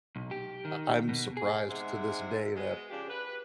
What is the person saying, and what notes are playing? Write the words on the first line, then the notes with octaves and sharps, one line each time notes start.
I I'm surprised to this day that,
B1
G4
D#3
B2
G#4
G#2 C3 G#3 C5 E5 F#5
G#3 B3 F#4
C#3 F3 D4 G4
B4